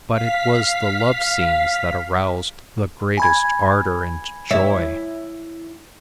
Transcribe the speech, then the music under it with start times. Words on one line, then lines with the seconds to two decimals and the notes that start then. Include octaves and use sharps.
But it was the love scenes that aroused the greatest ardor and joy.
0.12 F5 B6
3.17 G#5 B5 G#6
4.51 E4 C#5 E5